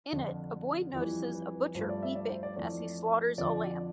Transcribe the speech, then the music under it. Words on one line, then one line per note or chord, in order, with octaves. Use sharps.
In it a boy notices a butcher weeping as he slaughters a lamb.
F2 D3 F3
F2 E3 G3
B4
B4
G2 F3 A3 C5
D5
E5
D5
C5
D5
F2 E3 A3 D5
F2 D3 F3 D5